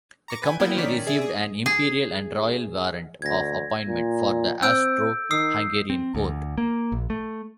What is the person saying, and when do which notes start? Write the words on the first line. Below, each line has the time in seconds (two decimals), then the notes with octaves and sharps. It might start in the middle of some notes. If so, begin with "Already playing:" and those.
The company received an imperial and royal warrant of appointment for the Austro-Hungarian court.
0.28 A#5 C#6 D6
0.42 B4 G5 G#5
0.60 A#3 B3 E4 G5 G#6
0.77 D#3 C#4 D5 B6
1.07 G#4 D5 E5
1.21 G#4
1.66 G#4
3.22 D2 G#6 A#6
3.88 A#2
4.63 C4 E6 G6 D7
5.31 D#3 D#6 E6 C7
5.90 C4
6.15 D2
6.58 A#3
6.92 A#1
7.10 A3